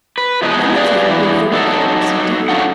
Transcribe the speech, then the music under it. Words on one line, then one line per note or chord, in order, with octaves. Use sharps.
Then the king grew very cross indeed.
B4
E2 B2 F3 G#3 B3 D#4
G4 G#4 B4 D5 F5 G5
E3 B3 D4
F#3 D#4 A4
A3 C#4 D4 F4 F#5